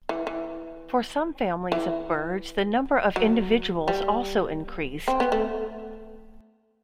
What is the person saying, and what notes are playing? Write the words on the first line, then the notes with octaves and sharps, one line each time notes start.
For some families of birds the number of individuals also increased.
E3
E3
E3
F#3
G3
C4
B3
A3